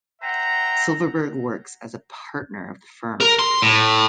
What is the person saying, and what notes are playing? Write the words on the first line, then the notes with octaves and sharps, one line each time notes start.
Silverberg works as a partner of the firm.
C5 E5 F#5 G5 A#5
A#4
C6
A2